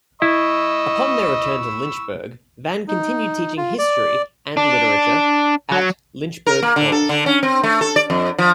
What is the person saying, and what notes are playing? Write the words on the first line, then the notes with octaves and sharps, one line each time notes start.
Upon their return to Lynchburg, Van continued teaching history and literature at Lynchburg College.
E4 D#5 B5 C#6 E6
D#4
F4
D5
D4
F#3
A#4
A#3
D3
A4
D3
C#4
C4
A3
A4
D5
F2
F3